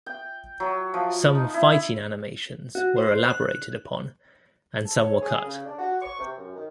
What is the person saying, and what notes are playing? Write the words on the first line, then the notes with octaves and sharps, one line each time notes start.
Some fighting animations were elaborated upon and some were cut.
G5
F#3
F3
D#4
E4
F#4
C5
F#6
A4
C#5
G#4
C#3
D4
F#4
C#6
C3
F#2
D#3